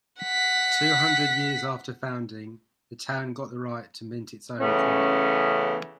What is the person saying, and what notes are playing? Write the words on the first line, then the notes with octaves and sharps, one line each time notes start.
Two hundred years after founding, the town got the right to mint its own coin.
F#5 B6
C#3 E3 A3 B3 C#4